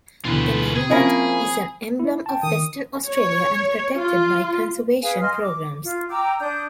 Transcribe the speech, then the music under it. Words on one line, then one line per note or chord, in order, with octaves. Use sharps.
The numbat is an emblem of Western Australia and protected by conservation programs.
D2 B2 D3 E3 F4 B4
C3 G#4
F3 A#3 C4 C#4 E4 G#5 B5
E4
G5 A5
D#3 D#6
C#5
F4
G#4 B4 F5 G#5
D#5 G#5 C6 F6
D6
F4
G5 A#5 D6 E6
D4 D#6 G6